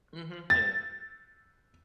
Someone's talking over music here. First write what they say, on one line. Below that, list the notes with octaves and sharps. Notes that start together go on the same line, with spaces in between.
Mhm, yeah.
A6